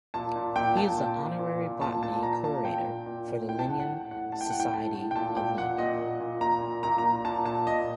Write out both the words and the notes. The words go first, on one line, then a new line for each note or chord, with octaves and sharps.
He is the honorary botany curator for the Linnean Society of London.
A#2 A5
A#2
A#2 G5
A#2 A5
A#2
A#2
A#2
A#2
A#2 A5
A#2 A5
A#2 A#5
A#2 A5
A#2 G5
A#2
A#2
A#2
A2 G5
A5
A2 F#5
F#5
A2
A2 F#5
A2 A5
G5
A2 F#5
G5
A2 A5
A2
G5
A#2 A5
A#2 G5
A#2 F#5
A#2 D#5
A#2
A#2
A#2 A#5
A#2
A#2 A#5
A#5
A#2
A#2 A5
A#2 A5
A#2 D#5